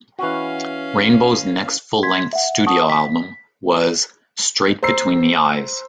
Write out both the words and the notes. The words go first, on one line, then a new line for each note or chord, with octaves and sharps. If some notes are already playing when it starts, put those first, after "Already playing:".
Rainbow's next full-length studio album was "Straight Between the Eyes".
E3 C#4 F#4 F5
C6 G#6 B6
E5 F#5
F#5 A5 C#6 D#6
B6
C5 A#5 E6 C7